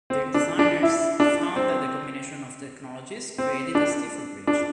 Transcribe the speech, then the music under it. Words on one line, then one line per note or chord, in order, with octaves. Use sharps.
Their designers found that the combination of technologies created a stiffer bridge.
C4
D4
D4
E4
D4
C4
C4
D4
D4